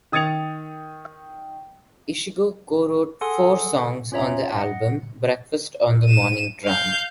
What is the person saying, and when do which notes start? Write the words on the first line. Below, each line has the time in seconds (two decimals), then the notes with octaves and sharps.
Ishiguro co-wrote four songs on the album "Breakfast on the Morning Tram".
0.12 D#3 D#6 G#6 A6 C#7 F7
3.21 G#4 A4 F#5 G#5 C6 D#6
4.12 C#4 F4 C#5 E5 A#5
4.58 D#5 F#5
6.05 D#7 E7
6.65 F5 G6